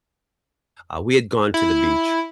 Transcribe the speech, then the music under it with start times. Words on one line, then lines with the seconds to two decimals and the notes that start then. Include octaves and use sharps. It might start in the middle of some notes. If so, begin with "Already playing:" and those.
uh, we had gone to the beach,
1.54 E4